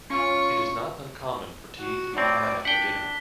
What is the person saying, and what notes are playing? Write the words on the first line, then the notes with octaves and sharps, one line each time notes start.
It is not uncommon for tea to be had after dinner.
C#4 F4 C#6
F#4
A2 C4 D5
D4 F#5 G5 B6 G7